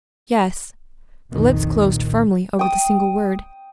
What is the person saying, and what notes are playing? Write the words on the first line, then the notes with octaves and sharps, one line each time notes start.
"Yes." The lips closed firmly over the single word.
C2 F2 A#2 D#3
G5 D#6